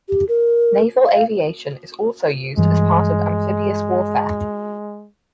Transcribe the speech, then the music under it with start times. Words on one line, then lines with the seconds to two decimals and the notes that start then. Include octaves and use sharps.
Naval aviation is also used as part of amphibious warfare.
0.09 G4
0.29 A#4
1.05 F5
2.57 G2 E3 G#3